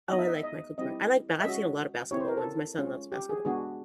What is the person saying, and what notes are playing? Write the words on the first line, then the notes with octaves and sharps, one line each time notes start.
Oh, I like Michael Jordan. I like ba I've seen a lot of basketball ones. My son loves basketball.
G#3 B3 D#4 D#5
E5
D#5
E5
D#5
G3 C4 E4 G4 D#5
E5
G#3 C#4 F#4 D#5
C4 E4 G4 C#5
C5
A#4
A4
G#3 C#4 F4
G4
G#4
G#3 B3 D4 F#4 G#4